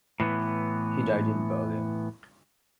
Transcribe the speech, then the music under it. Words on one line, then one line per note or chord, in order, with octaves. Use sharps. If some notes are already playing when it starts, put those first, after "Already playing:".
He died in Berlin.
A2 E3 B3